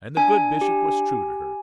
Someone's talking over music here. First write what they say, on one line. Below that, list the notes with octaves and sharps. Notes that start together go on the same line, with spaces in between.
And the good Bishop was true to her.
D4 G#5
G4